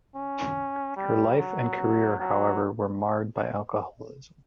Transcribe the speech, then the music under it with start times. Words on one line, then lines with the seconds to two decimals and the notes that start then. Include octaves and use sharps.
Her life and career, however, were marred by alcoholism.
0.16 C#4
0.96 G3
1.38 F#3
2.20 F#3